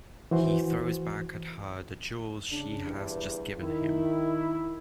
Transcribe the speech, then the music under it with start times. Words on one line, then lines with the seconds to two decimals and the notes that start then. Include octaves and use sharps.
He throws back at her the jewels she has just given him.
0.31 E3 F#4 C5
2.50 C#3 D4
2.84 A#1 E2 G2 G3
3.58 D#3 E4